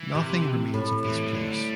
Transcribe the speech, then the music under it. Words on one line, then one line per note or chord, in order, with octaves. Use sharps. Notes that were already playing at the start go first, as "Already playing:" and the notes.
Nothing remains of this place.
Already playing: E3
C3
A2
E3
G3
E3
D3
G3